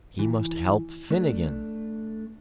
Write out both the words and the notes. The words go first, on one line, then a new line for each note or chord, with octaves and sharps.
He must help Finnegan.
E3
A3 D4